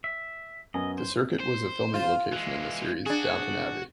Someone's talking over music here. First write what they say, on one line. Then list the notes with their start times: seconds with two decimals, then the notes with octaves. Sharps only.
The circuit was a filming location in the series "Downton Abbey".
0.04 E5
0.74 F#2 B3 D#5 G#5
0.98 C5
1.40 C5
1.94 F4
2.33 E3 G#3
3.06 D4 F#4 G#4